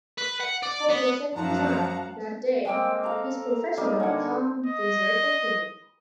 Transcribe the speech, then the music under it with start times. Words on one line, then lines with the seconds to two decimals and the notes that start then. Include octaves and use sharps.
For the second time that day his professional calm deserted him.
0.18 B4
0.40 F#5
0.63 D5
0.90 B3
1.35 F#2 F3 F5 F#5 A5 A#5
2.65 G#3 A#3 C4 G5
3.04 A4 F5 A#5
3.78 G3 A#3 D#4
4.00 D3 F#5 G#5
4.66 D#5